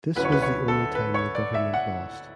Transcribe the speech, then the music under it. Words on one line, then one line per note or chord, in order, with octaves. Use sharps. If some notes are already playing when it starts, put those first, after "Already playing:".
This was the only time the government lost.
D2 D3 F#3 C#4 E4 B4
C#5
B4
C#5
A4
B4
C#5
D5
E5
F#5